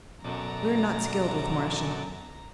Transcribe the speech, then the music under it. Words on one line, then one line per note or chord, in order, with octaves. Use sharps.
"We are not skilled with Martian."
F#2 B2 A4 D5 A#5